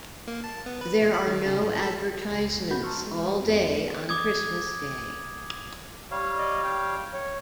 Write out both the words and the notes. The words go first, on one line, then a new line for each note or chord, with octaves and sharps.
There are no advertisements all day on Christmas Day.
A#3
A5
B3
B4
A#2
B5
D#3
C#3
A2
A4
C#2
B2 F#4 F#5 B5 G6
A5 A#5 C6 C#6 E6 F6
G#3
F2 B3 C4
D6 D#6 G#6
G3 C#5 F5
D5 D#5
G5
C#5